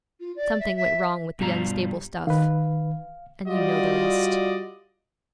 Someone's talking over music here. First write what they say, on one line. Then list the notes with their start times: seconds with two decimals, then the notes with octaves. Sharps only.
Something went wrong with the unstable stuff,--and you know the rest.'
0.20 F4
0.36 D5
0.60 E5
0.76 E5
1.39 G2 B2 G3 F4 A#5
2.27 D#3 B4 F5
3.48 G3 F4 F#4 D5 D#5